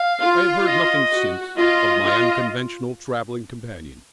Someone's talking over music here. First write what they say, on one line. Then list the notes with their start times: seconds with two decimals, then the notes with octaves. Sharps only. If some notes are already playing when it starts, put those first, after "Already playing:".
I have heard nothing since of my unconventional travelling companion.
Already playing: F5
0.22 F4
0.67 D#5
1.12 F#4
1.58 F4 D#5
2.04 F4